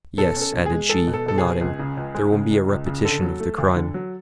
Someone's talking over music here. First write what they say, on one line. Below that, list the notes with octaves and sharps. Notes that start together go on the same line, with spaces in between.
Yes," added she, nodding, "there will be a repetition of the crime.
B2 A4
C#4
A4
B2
G#4
G#3
G#3 A4
B2
A4
B2 A4
G#4
B2
C#2
C#3
C#2
G#3
C#3
C#2
C#2
C#3
D3 A4
F#3
A3
D2
D3
F#3